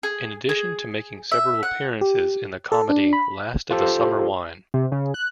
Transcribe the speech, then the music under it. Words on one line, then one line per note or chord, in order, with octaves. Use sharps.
In addition to making several appearances in the comedy Last of the Summer Wine.
G#4
G#4
E5
F#5
G4
A4
D4
B5
F4 G4 A4 C5
C3
C#3
F#6